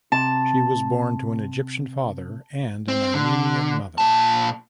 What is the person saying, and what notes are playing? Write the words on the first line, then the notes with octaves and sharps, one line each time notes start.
She was born to an Egyptian father and an Armenian mother.
C3 A5
C4
D3
A#2 A5